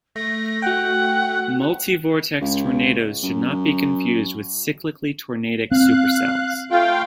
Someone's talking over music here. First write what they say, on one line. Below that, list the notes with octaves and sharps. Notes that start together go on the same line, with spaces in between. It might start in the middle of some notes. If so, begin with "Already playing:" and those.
Multivortex tornadoes should not be confused with cyclically tornadic supercells.
A3 A#6
F#4 F#5 G5
C#2
F#2
C4 F5 F#6
A3 F4 F5 G5